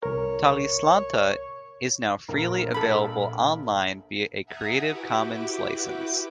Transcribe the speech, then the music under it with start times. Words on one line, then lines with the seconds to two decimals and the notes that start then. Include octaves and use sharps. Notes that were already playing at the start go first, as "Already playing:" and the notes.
"Talislanta" is now freely available online via a Creative Commons licence.
0.03 C2 A#4 C#5
2.28 A#1 A#4
2.74 A4 B5
4.46 E5 F#5 G#5 A#5 D#6
4.88 E4 F#4 G4 B4 G5 D6